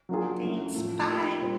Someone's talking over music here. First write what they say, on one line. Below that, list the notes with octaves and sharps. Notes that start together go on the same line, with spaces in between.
Thanks, bye.
F#3 A#3 D4 F4 G#4
F#3 A3 C#4 E4
A2 F3 A3
F3 A#3 D#4 G4
A#2 G3 C4